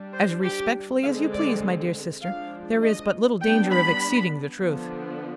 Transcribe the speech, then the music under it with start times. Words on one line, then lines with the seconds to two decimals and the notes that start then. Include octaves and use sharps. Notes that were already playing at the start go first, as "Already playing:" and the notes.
"As respectfully as you please, my dear sister; there is but little danger of exceeding the truth."
Already playing: G3 D4
0.14 C5
0.43 G4
1.03 D3 G#3 C4 F5
1.32 D5
2.22 F3 G#3 D4 F5
2.82 D#5
3.41 G3 B3 D4 G5
3.71 B5
4.60 D3 F3 B3 D4